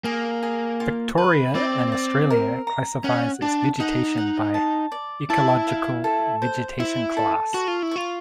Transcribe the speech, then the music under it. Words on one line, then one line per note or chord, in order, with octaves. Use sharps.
Victoria in Australia classifies its vegetation by Ecological Vegetation Class.
A#3 G#4
G#4
F4
B4
C4 D5
D5
A#4
A#5
C#4 F#5
D4 A5
D#4 F#5
F#5
A5
D5
E4 A5
F5
A4
C5
E4 E5
A4
F#4 C#6
F4
E4
F4 C#6